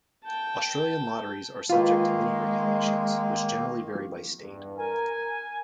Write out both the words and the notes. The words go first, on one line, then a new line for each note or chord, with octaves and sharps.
Australian lotteries are subject to many regulations, which generally vary by state.
G5 A5
D#3 G#3 A#3 F4 B4
E2 G2
A#4 G#5